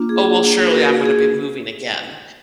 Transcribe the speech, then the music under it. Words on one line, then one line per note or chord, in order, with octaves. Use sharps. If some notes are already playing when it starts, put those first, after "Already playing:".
"Oh, well surely I'm gonna be moving again,"
Already playing: A#3 D4 F4
G#4
B4
F#4 A#4
F#4
G#4
G#4